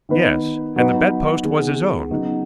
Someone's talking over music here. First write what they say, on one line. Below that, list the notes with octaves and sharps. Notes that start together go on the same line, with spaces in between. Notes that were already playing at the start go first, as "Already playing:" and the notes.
Yes! and the bedpost was his own.
D#3 B3 D#4 B4
F#3 B3 D#4 F#4 B4
D#3 B3 G#4
C#3 F#3 B3 D#4